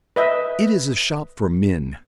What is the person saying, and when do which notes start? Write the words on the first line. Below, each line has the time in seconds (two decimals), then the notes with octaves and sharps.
It is a shop for men.
0.16 B4 D#5 E5